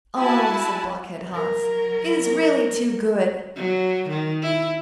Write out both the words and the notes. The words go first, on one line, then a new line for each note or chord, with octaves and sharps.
'Oh,' said Blockhead-Hans, 'it is really too good!
E4 F#4 G#5 A5 B5
F#3 A#4
F#3
D#3
E4